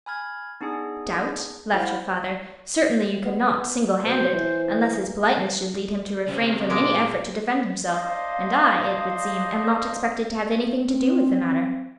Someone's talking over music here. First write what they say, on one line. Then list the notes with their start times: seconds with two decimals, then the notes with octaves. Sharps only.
"Doubt?" laughed her father, "certainly you could not, single-handed; unless his politeness should lead him to refrain from any effort to defend himself; and I, it would seem, am not expected to have anything to do with the matter."
0.06 G#5 B5 F6 G#6
0.61 B3 D4 D#4 G#4 G#5
1.74 E4 C5 F5 F#5 B5
3.25 B3
4.05 B2 C5
4.34 E3
6.28 C#3 C4
6.70 A#2 G#3 D6
7.88 D4 C5 D#5 F5
10.88 C4